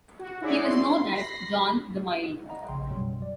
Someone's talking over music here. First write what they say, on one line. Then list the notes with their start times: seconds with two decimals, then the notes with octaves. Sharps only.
He was known as "John the Mild".
0.19 F#4
0.41 D#4 E4 F#4 G#4 C#5 D5
0.64 C6
1.11 B5 A#6 C7
2.49 D#5 F#5 A#5 B5
2.68 A#1 C#3 G5 C6
2.90 F#2 B2 F#3 G3
3.22 D5